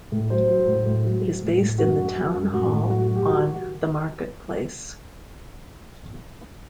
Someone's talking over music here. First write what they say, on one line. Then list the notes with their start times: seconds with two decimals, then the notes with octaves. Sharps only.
It is based in the town hall on the Market Place.
0.12 A2
0.30 F#3 C5
0.49 F#3
0.67 A2
0.86 A2
1.05 F#3
1.23 F#3
1.42 A2
1.60 A2
1.78 F#2 F#4
1.97 F#2
2.16 F#3
2.35 F#2
2.53 A2 F#4
2.72 A2
2.90 F#3 F#4
3.09 F#3
3.16 G4
3.27 D#3 F#4